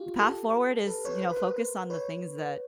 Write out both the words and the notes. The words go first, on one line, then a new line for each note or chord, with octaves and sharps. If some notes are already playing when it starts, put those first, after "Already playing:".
path forward is, you know, focus on the things that
Already playing: F4 G4
G4 A4
A4 B4
B4 C#5
C5
B4
A#4 C5
B4 C#5